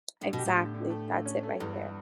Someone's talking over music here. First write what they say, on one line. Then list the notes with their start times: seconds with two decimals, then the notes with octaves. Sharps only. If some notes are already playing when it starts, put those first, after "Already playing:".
Exactly, that's it right there.
0.21 A2 D3
0.33 B2
0.39 G4
0.45 A2
0.56 D3
0.74 D3
0.90 A3
1.08 D3
1.26 C#4
1.43 A3
1.60 E2 G2